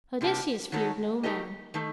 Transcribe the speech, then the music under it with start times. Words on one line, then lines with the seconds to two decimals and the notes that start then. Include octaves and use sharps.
Odysseus feared no man.
0.21 C3 G3 A#3 D4 G4
0.72 D#3 F#3 A3 D#4 A4
1.23 A3 D#4 G4 A#4 D#5
1.74 D#3 A3 D#4